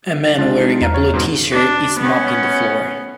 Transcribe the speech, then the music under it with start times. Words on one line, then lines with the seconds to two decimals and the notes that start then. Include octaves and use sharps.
A man wearing a blue Tshirt is mopping the floor.
0.24 A6
0.38 G#3 D4 F4
0.58 D#4
0.81 E2 A#5 F6
0.94 C#5
1.14 G#2 B2 C6
1.51 D4
1.99 B3 C#4